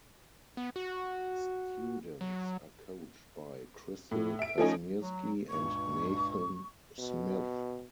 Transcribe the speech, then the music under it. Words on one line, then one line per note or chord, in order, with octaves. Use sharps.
Students are coached by Crystal Kazmierski and Nathan Smith.
B3
F#4
F#3
A2
E5 D7
F3 A3 C#4 D#4
F#3
C#2 G2 A#2 C#6
B2